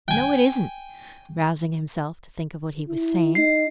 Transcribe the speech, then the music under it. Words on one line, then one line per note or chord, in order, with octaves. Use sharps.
"No, it isn't;" rousing himself, to think of what he was saying.
G5 G#5
E4
D#4 C7